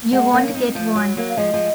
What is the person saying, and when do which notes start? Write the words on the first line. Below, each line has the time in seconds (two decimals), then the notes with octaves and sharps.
You won't get one.
0.12 G#3 C4 F#5
0.33 A#3 C#4
0.54 C4 D#4
0.75 F3
0.95 F#3
1.17 F#3 A#3
1.29 F5
1.37 F3 G#3 D#5
1.54 F3 G#3